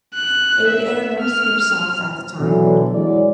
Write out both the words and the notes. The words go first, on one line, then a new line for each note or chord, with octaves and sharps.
It would air most hip songs at the time.
F#6
E5
F6
B2 D3 E3 F#3
E3 F#3 G#3 D5